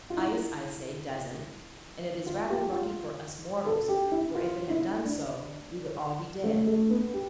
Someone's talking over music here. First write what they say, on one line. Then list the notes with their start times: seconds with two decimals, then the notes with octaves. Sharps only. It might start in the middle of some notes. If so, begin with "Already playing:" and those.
Ice, I say, doesn't, and it is rather lucky for us mortals, for if it had done so, we would all be dead.
0.10 F4
0.17 E4
2.26 F4
2.49 G4
2.72 F4
3.66 A4
3.89 G4
4.12 E4
4.35 F4
4.70 E4
5.04 D4
6.44 A3
6.67 A3
6.90 B3
7.13 G4